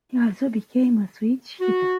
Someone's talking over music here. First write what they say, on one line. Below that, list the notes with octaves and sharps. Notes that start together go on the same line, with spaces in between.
He also became a switch-hitter.
F#4